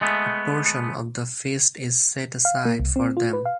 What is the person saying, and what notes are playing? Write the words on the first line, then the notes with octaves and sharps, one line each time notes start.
A portion of the feast is set aside for them.
G#3 A3 B3
F5
A#3
C2
C4
F4
B4
F5